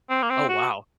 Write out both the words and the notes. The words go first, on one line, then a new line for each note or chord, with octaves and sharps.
Oh, wow.
C4
A#3
C4
F#4